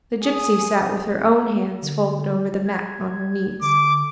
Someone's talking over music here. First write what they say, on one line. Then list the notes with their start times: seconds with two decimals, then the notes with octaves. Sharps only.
The gipsy sat with her own hands folded over the mat on her knees.
0.24 G#4 D#6
1.82 D3
2.35 G3
2.66 G#6
3.62 D3 D6